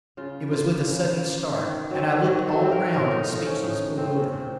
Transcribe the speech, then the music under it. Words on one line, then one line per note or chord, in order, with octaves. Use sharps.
It was with a sudden start, and I looked all around in speechless bewilderment.
C#3 F4
F3 A#3 F4
C#3
F3 A#3
D#3
F#3 C4
D#3 F#4
A4
F#3 C4
A#4
A2 A#4
D#4
F3 A3 D#4
C#4
A2 D#4
F3 A3 C4
C#4
A#2 C4